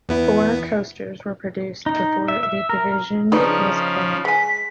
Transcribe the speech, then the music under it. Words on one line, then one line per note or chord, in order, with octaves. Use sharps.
Four coasters were produced before that division was closed.
E2 B3 E4
D#4
E5
E5
A#4
C#3 F3 D#4 G#4 B4 D5
G#3 G#5 B6